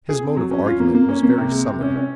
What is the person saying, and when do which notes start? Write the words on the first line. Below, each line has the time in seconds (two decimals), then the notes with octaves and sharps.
His mode of argument was very summary.
0.09 G#4
0.23 C4
0.37 F#3
0.51 C#4
0.66 F4
0.80 A#3
0.95 A#3
1.09 C#4
1.23 A#3
1.38 C3
1.52 G#3
1.66 C3
1.81 C#4
1.96 C#4